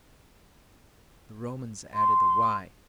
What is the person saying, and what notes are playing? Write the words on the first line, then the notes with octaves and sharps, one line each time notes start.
The Romans added the y.
C6